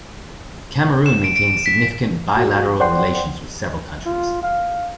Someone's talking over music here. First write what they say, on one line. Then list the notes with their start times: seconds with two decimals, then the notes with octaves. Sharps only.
Cameroon maintains significant bilateral relations with several countries.
1.06 E7
1.24 D7
1.36 D7
1.66 B6
2.37 F#4
2.80 C5 D5 F#5 G5 C6
4.05 F4
4.43 F5